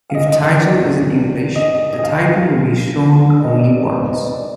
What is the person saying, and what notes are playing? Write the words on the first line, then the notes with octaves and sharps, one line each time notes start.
If title is in English, the title will be shown only once.
F5
D#5
D#5
D#5
D5
D#5
D#5
F5
D5
D#5
D5
C5
B4
D#5
D5